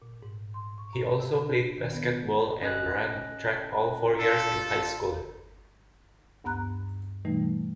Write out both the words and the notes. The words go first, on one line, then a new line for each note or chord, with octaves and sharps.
He also played basketball and ran track all four years in high school.
A#2
G#2
C6
C#6
A#5
C3
D4
D#3
B3
C#4 D#5 F#6
D4 F4 A4
D2 G2 B3 A#5 F#6
B2 E3 G3 A3 D#4